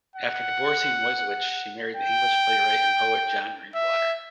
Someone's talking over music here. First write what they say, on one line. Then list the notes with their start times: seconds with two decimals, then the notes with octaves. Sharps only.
After divorcing Moiseiwitsch, she married the English playwright and poet John Drinkwater.
0.16 F#5
1.96 G5
3.75 E5